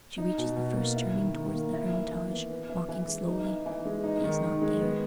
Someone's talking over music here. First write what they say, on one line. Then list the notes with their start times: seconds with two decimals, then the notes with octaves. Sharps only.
She reaches the first turning towards the Hermitage, walking slowly--he is not there.
0.18 D#4
0.38 B2
0.57 B2
0.77 A#3
0.95 E4
1.15 D#3
1.34 D#3
1.53 A#3
1.73 E4
1.93 E3
2.11 E3
2.31 B3
2.50 B3
2.69 E3
2.89 E3
3.08 G#3
3.28 D#4
3.46 E3
3.66 E3
3.85 G#3
4.04 D#4
4.24 D#3
4.43 D#3
4.62 G#3
4.81 B3